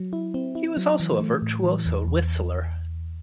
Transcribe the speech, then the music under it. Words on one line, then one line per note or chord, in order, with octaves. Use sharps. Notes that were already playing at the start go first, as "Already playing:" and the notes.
He was also a virtuoso whistler.
Already playing: F#3
E4
C4
E4
F#3
E3
A3
A2
E3
E2
E2